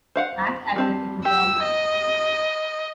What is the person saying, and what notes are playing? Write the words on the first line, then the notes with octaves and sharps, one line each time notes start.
Act as if it was all right!
C5 F5 F#5
G3 C4 A5
G4 E6
D#5